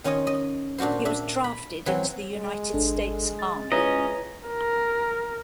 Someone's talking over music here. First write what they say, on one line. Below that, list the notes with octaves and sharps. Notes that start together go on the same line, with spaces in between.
He was drafted into the United States Army.
D#3 C#4 F4 C#5 D#5
D#5
A#2 D4 F4 F#4 C5
D4 E5
B5
E3 F#3 C4
G#3
G#1 D4 A4
A6
G#3 C#4 E4 F4 B4 C#5 D#5 A#5
A#4